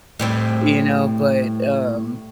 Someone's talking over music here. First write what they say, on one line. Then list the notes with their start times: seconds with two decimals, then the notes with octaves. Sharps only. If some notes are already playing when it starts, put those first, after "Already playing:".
You know, but, um
0.19 A2 G3 C4